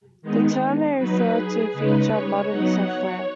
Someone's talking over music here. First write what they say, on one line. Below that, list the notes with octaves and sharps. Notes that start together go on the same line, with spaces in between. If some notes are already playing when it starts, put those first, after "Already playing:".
The term may refer to a feature of modern software.
D#3 G#3 B3 D#4
F#3 D#4 B4
G#4
C#3 G#3 D#4 B4
C#5
F#3 B3 D#4 F#5
C#5